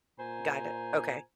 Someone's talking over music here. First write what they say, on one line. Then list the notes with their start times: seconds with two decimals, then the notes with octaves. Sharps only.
Got it. Okay.
0.19 A#2 C5 G#5 A#5